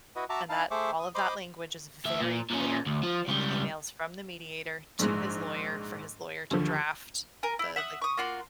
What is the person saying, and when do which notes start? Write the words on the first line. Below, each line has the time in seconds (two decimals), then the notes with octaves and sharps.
And that all of that language is very clear in the emails from the mediator to his lawyer, for his lawyer to draft the, like,
0.16 E4 F#4 B4 D#5
0.30 F#4 E5 A5 A#5 D6
0.49 D#4 E4 F5 A5
0.71 A3 G#4 C5 E5 C#6 D6
0.99 D#6
1.15 C5 D#5 B5 C6 D6
2.05 D2 E5
2.20 A#2
2.50 A#2 C#4
2.86 D2
3.03 F3
3.28 C#2 G3
4.99 A#1 G#2 G#3
6.51 D#2 D3 F3
7.43 A#4 G#5
7.59 E4
7.76 E5 F#5 D#6
8.02 C#6 D#6
8.17 A#3 F4 F#4 C6